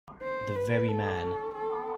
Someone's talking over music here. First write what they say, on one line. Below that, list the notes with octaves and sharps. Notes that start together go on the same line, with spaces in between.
The very man.
C5
B4
A4
A4